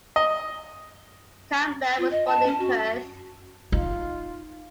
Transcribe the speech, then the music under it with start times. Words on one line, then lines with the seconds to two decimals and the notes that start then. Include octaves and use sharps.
Campbell was born in Perth.
0.16 D#5
1.98 F4
2.11 D#5
2.27 A5
2.46 C#4
2.59 F#4
3.72 D#4 F4